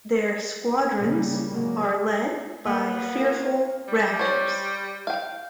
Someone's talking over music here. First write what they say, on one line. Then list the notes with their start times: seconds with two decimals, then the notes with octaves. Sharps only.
Their squadrons are led by the fearful Raptors.
0.98 C#3 G3 A#3
1.51 C#3 F#3 G#3 A#3
2.66 A#3 B3
3.19 F4 A#4 C#5
3.88 G3
4.19 C5 C#5
5.07 F5 G5